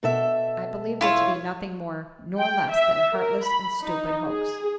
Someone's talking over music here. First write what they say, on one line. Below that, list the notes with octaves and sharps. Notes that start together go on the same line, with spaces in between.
I believed it to be nothing more nor less than a heartless and stupid "hoax."
B2 A4 E5
E4 F4 C#5
G5
E5
A#4
B5
D#4
G#4